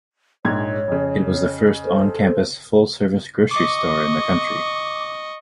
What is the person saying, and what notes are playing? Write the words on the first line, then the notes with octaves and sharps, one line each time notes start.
It was the first on-campus full-service grocery store in the country.
A#1 G#2 C#5 G#6
F2 C#3
A4 C5
D#5 C#6 D6